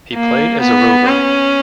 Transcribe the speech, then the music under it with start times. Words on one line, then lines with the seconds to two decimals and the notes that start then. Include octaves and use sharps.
He played as a rover.
0.14 A#3
0.60 B3
1.07 C#4